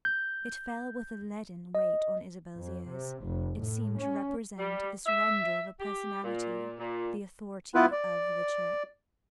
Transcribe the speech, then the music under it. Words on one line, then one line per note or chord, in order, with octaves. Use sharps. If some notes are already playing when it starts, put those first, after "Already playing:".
It fell with a leaden weight on Isabel's ears; it seemed to represent the surrender of a personality, the authority of the Church.
G6
D#5
F2
C3
F1
A2
C#4
G3
E5
G4
A#2
A#2
B3 E4 F4 B4
D5